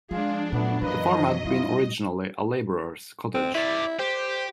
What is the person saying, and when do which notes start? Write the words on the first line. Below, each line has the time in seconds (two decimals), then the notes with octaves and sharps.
The farm had been originally a labourer’s cottage.
0.11 F3 G#3 D4 F4 G#4
0.52 F#2 A#2 F#3 A3 B3
0.82 G#1 E3 A#3 B4 D#5
1.11 F3
1.45 G3 E4 F4
3.34 C4
3.55 E4 B4 D5
3.99 G4 C5